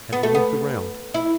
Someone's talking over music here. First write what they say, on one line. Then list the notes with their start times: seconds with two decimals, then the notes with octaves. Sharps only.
"Have you looked around?"
0.13 B3
0.23 A3
0.35 B3
1.14 E4